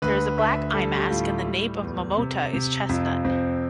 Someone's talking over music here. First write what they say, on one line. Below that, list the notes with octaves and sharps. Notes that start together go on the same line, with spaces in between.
There is a black eyemask, and the nape of "momota" is chestnut.
D2 B4
D2 E5
G3 A4
G4
A2 F4
G3
E2
C3
C3
F2 F4
F2 C4